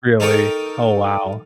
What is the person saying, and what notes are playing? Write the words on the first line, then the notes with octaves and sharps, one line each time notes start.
Really? Oh, wow.
D#4 A4 A#4 D#5 G5 C#6